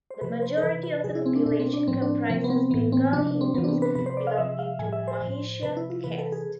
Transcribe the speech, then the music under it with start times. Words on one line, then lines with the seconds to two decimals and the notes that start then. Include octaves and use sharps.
The majority of the population comprises Bengali Hindus belonging to Mahishya caste.
0.10 C5
0.21 C3 F3 B4
0.42 C5
0.57 A4
0.63 C3 E3 B4
0.83 B4
1.04 C3 F3 G#4
1.15 E4
1.26 C4
1.35 D4
1.46 B2 D4
1.60 C4
1.73 D4
1.88 A2 F3 C4
2.02 D4
2.30 C3 F3 C4
2.44 B3
2.50 C4
2.71 A2 E3 B3
2.92 C4
3.12 C3 F3 D4
3.27 D4
3.41 C4
3.54 C3 E3 B3
3.64 D4
3.68 C4
3.82 B4
3.95 C3 F3 B4
4.06 C5
4.17 D5
4.27 F5
4.37 C3 F3 E5
4.59 F5
4.79 A2 F3 G#5
4.92 E5
5.08 C5
5.21 A2 F3
5.62 C3 F3 B4
5.77 E4
5.90 F4
6.04 C3 E3 B4
6.18 A4
6.32 G#4